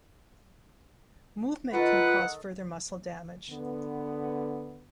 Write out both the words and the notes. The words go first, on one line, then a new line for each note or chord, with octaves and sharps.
Movement can cause further muscle damage.
D#3 F4 A4 B4 F#5
D3 B3